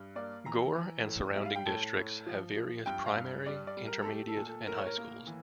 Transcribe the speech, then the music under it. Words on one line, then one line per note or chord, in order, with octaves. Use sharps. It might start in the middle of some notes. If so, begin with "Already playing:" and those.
Gore and surrounding districts have various primary, intermediate and high schools.
Already playing: G2
A#3 D5
E3 A#5
E3
A2
G3 E5
F5
G5
A2 A5
A2
F3
F3
G2 G5
F5
G2
G3 D5
D5
G3
A#4
A4
A3 G4
A4
A#2
A4
A2 A#4
C#5
A#4
A#3
E3